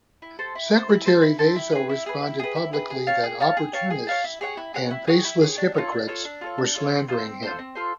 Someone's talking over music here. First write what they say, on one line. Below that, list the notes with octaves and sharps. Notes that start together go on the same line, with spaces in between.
Secretary Vaso responded publicly that "opportunists" and "faceless hypocrites" were slandering him.
E4
A4 C5
E4
A4 C5
E4
A4 C5
E4
A4 C5
E4
G#4 B4
E4
G#4 B4
E4
G#4 B4
E4
G#4 B4
G#4
C#5 F5 A5
G#4
C#5 F5 A5
G#4
C#5 F5 A5
G#4
C#5 F5 A5
E4
G#4 C#5 F#5
E4
G#4 C#5 F#5
E4
G#4 C#5 F#5
E4
G#4 C#5 F#5
D4
F4 A4 C#5
D4
F4 A4 C#5
D4
F4 A4 C#5
D4
F4 A4 C#5
C4
F4 A4 C5
C4
F4 A4 C5
C4
F4 A4 C5